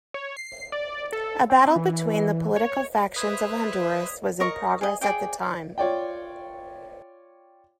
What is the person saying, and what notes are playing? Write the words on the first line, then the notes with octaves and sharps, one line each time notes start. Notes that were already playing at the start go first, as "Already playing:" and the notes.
A battle between the political factions of Honduras was in progress at the time.
C#5
C7
D5
A4
C4
E3
C#5
B4 C5 E5 D#6 G#6 B6
A#4 C#5 D#5 C#6
G#4 D#5
G#4 D5 G5
F4 C#5 D5 G5